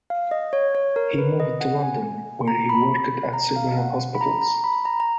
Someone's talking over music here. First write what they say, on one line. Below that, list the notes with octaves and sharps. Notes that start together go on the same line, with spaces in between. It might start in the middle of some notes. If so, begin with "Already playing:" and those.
He moved to London, where he worked at several hospitals.
F5
D#5
C#5
C#5
A#4
A#4
B4
D#5
F#5
G#5
A#5
B5
A#5
F5
F#5
B5
A#5
A#5
B5
A#5
A#5